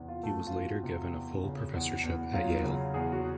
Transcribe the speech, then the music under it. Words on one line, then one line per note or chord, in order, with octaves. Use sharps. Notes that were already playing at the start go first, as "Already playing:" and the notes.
He was later given a full professorship at Yale.
Already playing: E2 C3
F4
A3
F4
E3 F#4
C3
E2
C#3
E2
E2
F#3 F4
C#3
E2 G#4
F#4